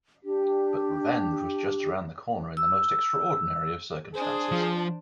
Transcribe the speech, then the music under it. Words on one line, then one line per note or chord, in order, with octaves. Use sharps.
But revenge was just around the corner in the most extraordinary of circumstances.
D4 G4
E6
D4 G#4 C5
F3